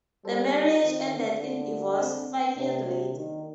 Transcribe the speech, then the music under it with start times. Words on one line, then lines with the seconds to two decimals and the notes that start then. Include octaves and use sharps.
The marriage ended in divorce five years later.
0.25 G3 A4 C5
0.64 F4 A4
0.83 D#3 C4
1.12 D3
1.40 A#3
1.98 C4
2.56 C3 A#3 D4
2.85 C3
3.14 D#3